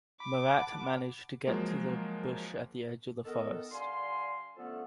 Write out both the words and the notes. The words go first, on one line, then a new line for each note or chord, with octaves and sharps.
Marat managed to get to the bush at the edge of the forest.
B5 D6
F#5 A5 B5
F3 F#3 G#3 A#3
D#3 B3 A4 A#4
D3 G3 F5 G#5 C6
D3 F3 A3 B3 C#4 A4